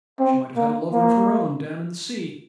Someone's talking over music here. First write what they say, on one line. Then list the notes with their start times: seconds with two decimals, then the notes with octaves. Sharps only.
She might have had a lover of her own down in the sea.
0.20 C4
0.56 A#3
0.93 A#3